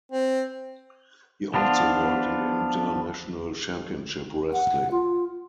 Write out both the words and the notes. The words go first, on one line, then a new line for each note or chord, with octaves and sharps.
He also worked in International Championship Wrestling.
C4
F3 B3 D4 F4
F#5
F4